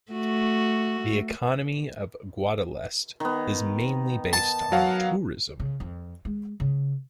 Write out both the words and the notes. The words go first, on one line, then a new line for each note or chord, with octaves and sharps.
The economy of Guadalest is mainly based on tourism.
A3 F#4
D#3 B3
A5
F#3 F5 F#5
C#3
F2
G#3
C#3